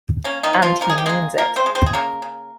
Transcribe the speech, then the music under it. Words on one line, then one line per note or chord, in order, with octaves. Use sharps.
And he means it.
A#3 C#4
D#3 D#4
C3
F3 F4
C3 A#4
G#4
G4
G#3 A#3 G#4
F3 A#3 A#4
C4 C5
G#3
C4 C5
G#4
C#3 A#3 A#4
C#3